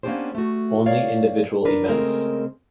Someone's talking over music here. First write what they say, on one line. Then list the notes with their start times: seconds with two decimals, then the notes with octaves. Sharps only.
Only individual events.
0.03 A#3 B3 C#4 D4 G4 C5
0.35 A3 F#4
0.86 C#5 D5 F5
1.65 D4 A#4 B4
1.88 C#3 G#3 A3 C4 A#4